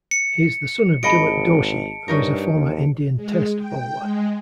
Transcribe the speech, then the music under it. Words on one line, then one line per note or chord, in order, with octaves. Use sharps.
He is the son of Dilip Doshi, who is a former Indian Test bowler.
C#7
G#1 G#4 D#5 A5 B5 C#7 D7
G2 C#4 D#4 A#4
D#2
G#3
G5
G#3